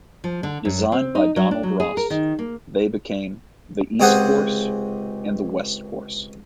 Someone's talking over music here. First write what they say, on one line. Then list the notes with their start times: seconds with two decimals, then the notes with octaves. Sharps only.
Designed by Donald Ross, they became the East Course and the West Course.
0.24 F3
0.43 D3
0.65 F#2
0.92 C4
1.15 D#4
1.36 F#3
1.51 D4
1.63 F#3
1.80 G#4
1.97 A#4
2.10 D#3
2.39 A#3
4.00 C#2 C3 G#4 C5 F#5 D#6